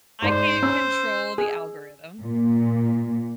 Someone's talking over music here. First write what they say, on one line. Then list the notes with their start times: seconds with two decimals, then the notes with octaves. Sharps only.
I can't control the algorithm,
0.22 G#2 C5 D5 C6
0.63 C#4 E6
1.38 G#4
2.22 A#2